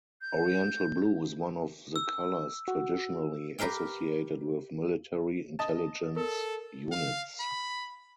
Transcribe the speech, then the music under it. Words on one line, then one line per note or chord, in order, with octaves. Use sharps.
Oriental blue is one of the colors traditionally associated with Military Intelligence units.
G6
E6
F#4
G4 A#4 B4 F5 G5
D#5 A5
A4 A#4
F5
B5